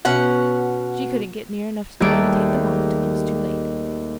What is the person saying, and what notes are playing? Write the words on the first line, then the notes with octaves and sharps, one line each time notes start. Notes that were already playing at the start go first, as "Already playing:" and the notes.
She couldn't get near enough to tell you to take them off till it was too late.
B2 C#4 F#5
D#2 G3 A3 G#4 A6 D7